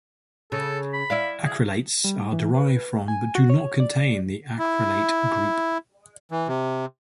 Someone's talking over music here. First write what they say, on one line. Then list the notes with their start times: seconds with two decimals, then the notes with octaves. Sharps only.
Acrylates are derived from but do not contain the acrylate group.
0.52 C#3 A4
0.93 B5
1.10 E4 D5 F5
1.45 G#4
2.04 G3
2.33 E3
2.54 B4
3.08 G#5
3.35 F#4
3.50 C#5
3.80 D5
4.59 E4
6.31 E3
6.48 C3